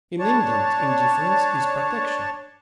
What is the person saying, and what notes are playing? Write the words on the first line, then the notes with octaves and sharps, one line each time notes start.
In England, indifference is protection.
D4 C#5 A5